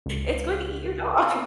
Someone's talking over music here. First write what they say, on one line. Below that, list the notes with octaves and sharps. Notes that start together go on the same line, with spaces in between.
It's going to eat your dog.
C#2